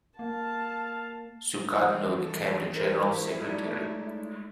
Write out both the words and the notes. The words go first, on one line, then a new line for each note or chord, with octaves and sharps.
Sukatno became the general secretary.
A#3 F5 A5
E3 G3 C4
A4
G3 E4 A#4 C5
G#3 A3 D#4 C#5 D5